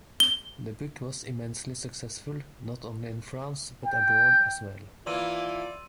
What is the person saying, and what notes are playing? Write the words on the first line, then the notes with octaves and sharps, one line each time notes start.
The book was immensely successful not only in France but abroad as well.
G7
G5
E3 A#3 E4 F4 D5 C6 E6 D#7